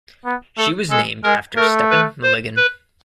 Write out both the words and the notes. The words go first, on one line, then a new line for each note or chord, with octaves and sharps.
She was named after Stepan Malygin.
B3
A3 A4
G#3 A4
G#3 A#4
A3 A#4
B4
C5
B4